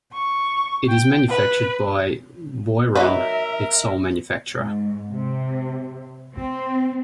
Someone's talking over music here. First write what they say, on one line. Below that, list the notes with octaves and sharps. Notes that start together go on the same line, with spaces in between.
It is manufactured by Boiron, its sole manufacturer.
C#6
G5
B4
F#3 D#4 A#4 B4 E5
G#2
C3
C4